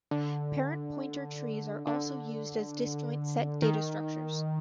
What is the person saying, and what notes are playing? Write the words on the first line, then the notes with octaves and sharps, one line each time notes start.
Parent pointer trees are also used as disjoint-set data structures.
D3
D3
D#3